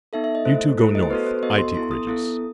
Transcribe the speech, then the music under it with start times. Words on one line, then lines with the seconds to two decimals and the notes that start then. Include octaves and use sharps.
"You two go north--I take ridges."
0.13 B3 D#4 A4 E5
0.24 E5
0.35 D#5
0.45 A3 E4 A4 C5
0.78 A3 E4 A4
0.95 D#5
1.03 C5
1.10 B3 F#4 A4 B4
1.27 C5
1.43 B3 F#4 A4 D#5
1.58 C6
1.74 B3 E4 A4 C6
1.91 D#6
2.07 B3 E4 A4